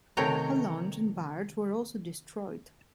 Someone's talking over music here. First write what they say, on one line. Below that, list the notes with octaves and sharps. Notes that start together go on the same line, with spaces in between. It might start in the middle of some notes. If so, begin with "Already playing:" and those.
Her launch and barge were also destroyed.
C3 D#3 A3 C#5 G5 A#5